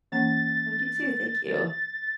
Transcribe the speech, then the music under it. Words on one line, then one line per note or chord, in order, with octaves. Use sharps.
Oh, you too, thank you.
E3 A#3 C#4 A6